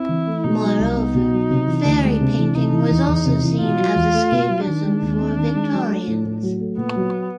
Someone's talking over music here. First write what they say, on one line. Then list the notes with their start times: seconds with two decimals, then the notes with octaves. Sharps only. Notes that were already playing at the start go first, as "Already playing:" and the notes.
Moreover, fairy painting was also seen as escapism for Victorians.
Already playing: C4 E4
0.09 E3
0.27 A3
0.44 B2 D#4
0.62 F#3
0.79 C2
0.97 B3 D#4
1.15 B2
1.33 F#3
1.50 C3
1.67 E3
1.85 D2
2.03 G#3 D4
2.21 C3
2.38 E3
2.55 C3 D#4
2.73 E3
2.91 E2
3.08 E2
3.25 C3
3.43 E3
3.61 B2 F4
3.78 F#3
3.96 E2
4.14 A3
4.32 B2
4.49 F#3
4.67 D#3 D4
4.84 G#3
5.02 D#2
5.19 C4
5.37 D#3
5.55 G#3
5.72 F#3
5.90 A3
6.07 A2
6.25 A2
6.43 F#3
6.60 A3
6.77 A#2 B3
6.96 F#3